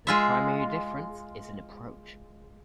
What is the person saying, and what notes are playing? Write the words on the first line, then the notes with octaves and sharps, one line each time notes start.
The primary difference is in approach.
G#3 F4 E5